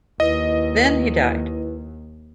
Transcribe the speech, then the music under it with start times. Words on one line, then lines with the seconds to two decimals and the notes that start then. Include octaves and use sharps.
Then he died.
0.20 D#2 E4 B4 D#5